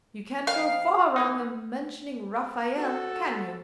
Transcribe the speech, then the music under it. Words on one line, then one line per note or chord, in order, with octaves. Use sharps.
'You can't go far wrong in mentioning Raphael, can you?
F2 F5
E3 A#3 D#4
F#4 A4